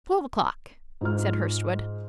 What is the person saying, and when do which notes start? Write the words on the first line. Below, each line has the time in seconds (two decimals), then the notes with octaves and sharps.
"Twelve o'clock," said Hurstwood.
1.01 G#2 F4 F6